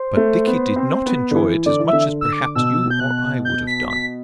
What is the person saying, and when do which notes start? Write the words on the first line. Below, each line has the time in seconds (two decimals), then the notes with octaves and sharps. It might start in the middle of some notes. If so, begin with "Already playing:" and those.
But Dickie did not enjoy it as much as perhaps you or I would have done.
Already playing: C5
0.17 A3
0.47 B3
0.76 C4
1.06 B3
1.31 D3
1.35 E3
1.66 D3 D5
1.79 E3
1.88 D3 E5
2.21 E6
2.33 D6
2.55 B2 E6
2.90 G6
3.00 F#6
3.45 G6
3.67 B6
3.90 B6